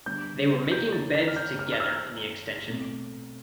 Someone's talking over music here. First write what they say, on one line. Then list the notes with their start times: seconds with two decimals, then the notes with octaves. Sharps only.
They were making beds together in the extension.
0.06 D3 G3 B3 D4 G6
0.72 G6
0.93 A6
1.15 A6
1.28 F6
1.36 G6
1.59 F6
1.73 F6
1.80 E6
2.68 B2 A3 C4